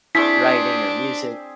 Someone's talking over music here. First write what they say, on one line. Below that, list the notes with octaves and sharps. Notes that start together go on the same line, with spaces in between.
writing, or music?
C4 D4 E4 G#4 C#6 B6